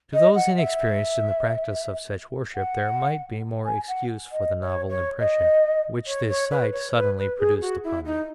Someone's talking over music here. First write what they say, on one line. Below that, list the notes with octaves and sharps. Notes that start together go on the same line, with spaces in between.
To those inexperienced in the practice of such worship there might be more excuse for the novel impression which this sight suddenly produced upon me.
D#5
F#5
E5
F#5
G#5
F#5
D#5
C#5
C#5
D#5
C#5
C#5
B4
C#5
B4
B4
G#4
F#4
E4
D#4